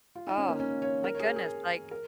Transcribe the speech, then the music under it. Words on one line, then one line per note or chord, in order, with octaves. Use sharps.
Oh, my goodness, like
F4
D#4
C#4
A#3
C#4
C#5
A#4
C#5
G#4
A#4
G#4
A#4